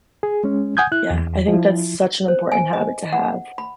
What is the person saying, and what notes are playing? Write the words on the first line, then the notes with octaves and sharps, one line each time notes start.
Yeah, I think that's such an important habit to have.
G#4
G#3 C#4
F#5 G#5 D#6 G6 G#6
E4 F#6
E2
F3 E4
C5
G#5
D#5
F#5
B5